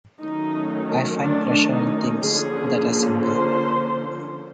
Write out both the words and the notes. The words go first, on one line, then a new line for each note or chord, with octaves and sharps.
I find pleasure in things that are simple.
D#3 F#3 A3 C#4 D#4
D4
D#4
D3 F3 A#3 C#4 G#4
C5